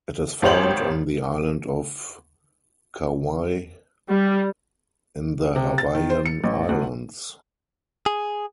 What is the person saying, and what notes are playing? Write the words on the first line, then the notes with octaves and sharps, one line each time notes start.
It is found on the island of Kauai in the Hawaiian Islands.
G#1 G4 C5 C#5 F7 F#7
G3
C3
A6
D#3
C5
C#7
A1
D2
G#4